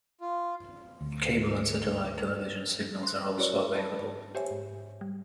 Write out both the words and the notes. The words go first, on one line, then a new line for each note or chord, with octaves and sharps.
Cable and satellite television signals are also available.
F4
D2
C6 F#6
C#4 E4 F#4 A#4 C#5 D5
B4 A5 B5
G4 C5 C#5 E5 G#5
G#2
G3